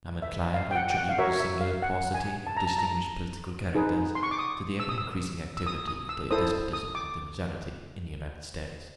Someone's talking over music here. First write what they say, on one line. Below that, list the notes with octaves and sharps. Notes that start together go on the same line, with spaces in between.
I am inclined to attribute the singular paucity of distinguished political characters to the ever-increasing activity of the despotism of the majority in the United States.
E5
F5
G5
F#5
G5
F#5
F5
F#4 A#4 C#5 E5
E5
F5
F#5
G#5
A5
A#5
A5
A#5
D#4 G#4 B4
C6
C#6
D6
D#6
E6
D#6
E6
E6
D#6
D#6
E6
E4 A4 C5 D#6
D#6
D6